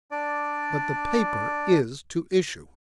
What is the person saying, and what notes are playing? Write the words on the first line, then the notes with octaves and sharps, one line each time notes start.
But the paper is to issue.'
D4 D5